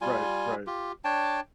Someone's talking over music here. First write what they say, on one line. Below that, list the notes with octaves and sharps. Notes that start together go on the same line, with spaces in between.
Right, right.
G3 F4 G#5
F4 G4
D4 C#5 G5 A5